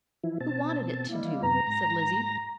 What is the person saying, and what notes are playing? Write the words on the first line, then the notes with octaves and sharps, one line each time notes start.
"Who wanted it to do?" said Lizzie.
E3 F3 E4
B2 C4 A5
G3 G#3 A#3 E4
F#2 C3 B3 A#5
G#2 A#6